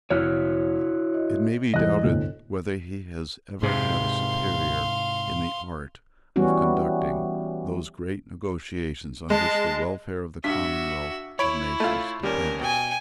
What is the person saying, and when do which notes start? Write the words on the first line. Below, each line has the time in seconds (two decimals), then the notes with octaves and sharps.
It may be doubted whether he has ever had a superior in the art of conducting those great negotiations on which the welfare of the commonwealth of nations depends.
0.10 F1 E4 F#4 C#5 F6
1.14 D#5
1.74 E2 G3 D#5 F#6
2.03 G1 D2 A2
3.63 G#2 C3 F5 C6
6.36 E3 G3 B3 C#4 F#4
9.30 G#3 A5
10.44 G2 F#4 E5 B6
11.39 E4 C#5 B5 D7
11.80 A3 F4
12.23 D#2 G3 C#4 A#4
12.61 B2 G5 G#5